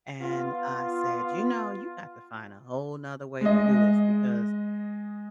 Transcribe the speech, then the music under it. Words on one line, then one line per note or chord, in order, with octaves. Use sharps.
And I said, "You know, you got to find a whole other way to do this because
B3 F4
G#3 D#5